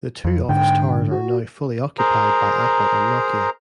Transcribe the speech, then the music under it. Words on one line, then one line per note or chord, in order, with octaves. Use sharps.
The two office towers are now fully occupied by Apple and Nokia.
F2
G#2 D3 G5
F#4
G#4 A#4 C5 A#5